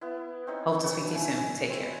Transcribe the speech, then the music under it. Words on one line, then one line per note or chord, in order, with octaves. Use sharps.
hope to speak to you soon, take care.
B3 E4
C4 D#4 C#5
F#4 A4 C#5
E4 G#5
C4